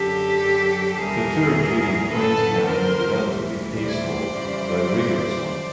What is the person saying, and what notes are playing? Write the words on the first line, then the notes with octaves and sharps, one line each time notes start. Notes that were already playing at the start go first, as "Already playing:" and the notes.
Her tour of duty at Queenstown was a relatively peaceful, though rigorous, one.
Already playing: F#2 D3 F#3 G4 A4
E2 C3 D#3 G3 G#4 A#4
F#2 D3 F3 A4 B4
A#4 C5
D2 C3 E3 G3
C5 D5
F2 C#3 E3 G3